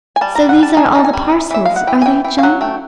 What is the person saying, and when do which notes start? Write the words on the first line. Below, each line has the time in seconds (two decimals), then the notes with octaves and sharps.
"So these are all the parcels, are they, John?"
0.16 G#5
0.21 G3 A5
0.35 G3 A#5
0.49 F#5
0.58 G3 A5
0.77 D#4 G#5
0.95 D#4 A5
1.05 G#5
1.13 G3
1.32 E3
1.51 E3 E5
1.65 G#3 F5
1.76 F#5
1.87 E3 G5
2.02 G#5
2.06 E3 G5
2.24 E3 G5
2.38 F5
2.43 F#3 F#5
2.61 A3 G5